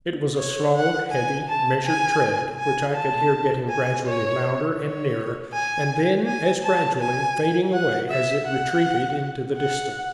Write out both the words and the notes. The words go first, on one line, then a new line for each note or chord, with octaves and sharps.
It was a slow, heavy, measured tread which I could hear getting gradually louder and nearer, and then as gradually fading away as it retreated into the distance.
C#5
F#5
G#5
A5
G#5
G#5
A5
G#5
C#5
C#5
G#5
G#5
A5
G#5
F#5
E5
F#5
F#5